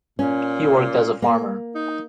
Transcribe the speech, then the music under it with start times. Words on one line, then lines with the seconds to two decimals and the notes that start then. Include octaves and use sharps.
He worked as a farmer.
0.19 A#2 C#4
1.22 A#3
1.75 D#4